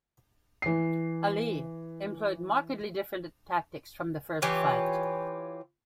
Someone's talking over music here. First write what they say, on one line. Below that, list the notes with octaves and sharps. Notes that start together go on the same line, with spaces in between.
Ali employed markedly different tactics from the first fight.
E3 C7
E3 F4 G4 C#5